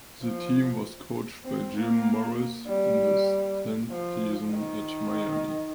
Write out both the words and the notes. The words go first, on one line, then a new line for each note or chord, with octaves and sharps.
The team was coached by Jim Morris in his tenth season at Miami.
F3
C4
A#3
G3
F3
D#3